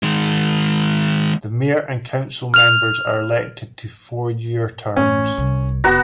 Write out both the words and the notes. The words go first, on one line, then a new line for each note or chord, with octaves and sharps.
The mayor and council members are elected to four-year terms.
D#3 G#3
F6 F7
A1 C#4
C2
F1 B3 F#4 A#5